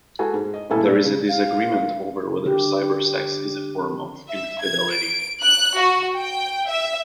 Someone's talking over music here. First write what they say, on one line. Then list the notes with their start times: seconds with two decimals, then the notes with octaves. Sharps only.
There is disagreement over whether cybersex is a form of infidelity.
0.19 G#3 F#4 G#4 A4 G#5
0.34 G#2
0.54 D#5
0.70 D#1 A#2 A3 E4 A4 G#5
0.86 D#1 D5 E6
1.04 C#3
1.29 F5
2.45 D3 G4
4.28 E5
4.61 G#6
4.93 D7
5.42 F#6
5.77 F#4
6.17 G5
6.68 E5